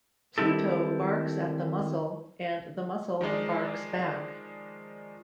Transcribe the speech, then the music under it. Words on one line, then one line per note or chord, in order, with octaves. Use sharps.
Pluto barks at the mussel and the mussel barks back.
D#3 G3 C4 E4 A4
D#3 F3 G#3 D4